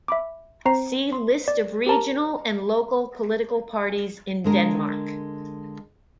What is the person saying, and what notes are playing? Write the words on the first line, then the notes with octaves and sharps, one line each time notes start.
See List of regional and local political parties in Denmark.
E5 B5 D6
C4 C5 A#5 C7
C6
D5
G4 A#4 A5 A#5
D3 G#3 A#4